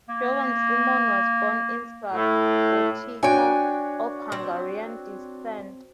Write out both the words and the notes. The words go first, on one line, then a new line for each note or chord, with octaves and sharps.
Jovan Simmon was born in Subotica, of Hungarian descent.
A#3
A2
D4 F#4 C#5 G5 G#5
C4